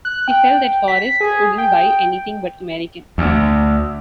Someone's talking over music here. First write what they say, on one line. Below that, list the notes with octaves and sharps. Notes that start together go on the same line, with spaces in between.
He felt that Forrest wouldn't buy anything but American.
F#6
G5
B6
G#4
G5
D2